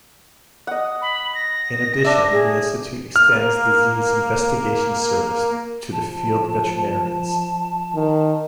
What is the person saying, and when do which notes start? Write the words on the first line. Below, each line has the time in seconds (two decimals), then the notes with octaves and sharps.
In addition, the Institute extends disease investigation service to the field veterinarians.
0.67 D#5 F#5
1.02 B5
1.35 A#6
2.05 D4 E5
2.32 G#4
3.16 A#3 F6
5.92 F3 A5
7.95 D#3